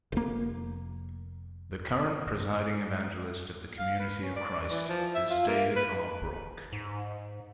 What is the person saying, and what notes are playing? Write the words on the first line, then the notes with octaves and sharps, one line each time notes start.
The current Presiding Evangelist of the Community of Christ is David R. Brock.
F1 A#3
F5
B4
C#4
D5
E3
F3
E5
F4
A#3
B4
G#2